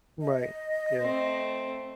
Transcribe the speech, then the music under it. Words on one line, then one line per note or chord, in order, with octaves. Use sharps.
Right, yeah.
D#5
A3 C4